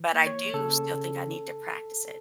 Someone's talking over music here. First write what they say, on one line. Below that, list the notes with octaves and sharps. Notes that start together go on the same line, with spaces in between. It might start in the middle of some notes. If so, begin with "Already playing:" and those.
but I do still think I need to practice it.
Already playing: E3
A#3
C#5
C#3 A4
C#3